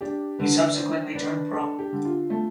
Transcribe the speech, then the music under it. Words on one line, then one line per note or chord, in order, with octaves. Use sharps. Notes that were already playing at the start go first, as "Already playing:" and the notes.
He subsequently turned pro.
D4 G4
D3 B4
D5
D4 C5
D4 B4
D4 A4
G4
D3
F4
A3